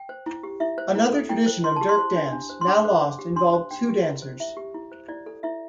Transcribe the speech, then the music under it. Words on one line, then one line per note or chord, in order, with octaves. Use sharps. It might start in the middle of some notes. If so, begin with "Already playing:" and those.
Another tradition of dirk dance, now lost, involved two dancers.
Already playing: G5
C5
E4
G4
E4 E5
C5
E4
A4
E4 G5
C5
E4 C6
G4 A5
C6
C5
D4
D4
C5
C6
D4 D6
C5
D4 D6
G4
D4 C6
C5
D4 G5
G4
E4
C5
E4 E5
G4
E4
C5
E4 D5
A4
E4 E5